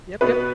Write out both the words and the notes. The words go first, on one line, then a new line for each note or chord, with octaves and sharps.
Yep, yep.
B2 B3 B4